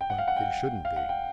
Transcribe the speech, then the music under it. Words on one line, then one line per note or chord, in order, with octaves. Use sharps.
But it shouldn't be.
G5
F#5
F5
F#5
G5
F5
F#5
G5